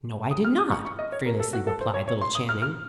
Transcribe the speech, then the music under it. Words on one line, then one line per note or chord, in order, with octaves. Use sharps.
"No, I did not!" fearlessly replied little Channing.
D#6
F6
D#6
C#6
C#6
D#5
C#5
A#4
A4
F#4
A4
C5
C#5
C#5
C6
D#6
F6
F6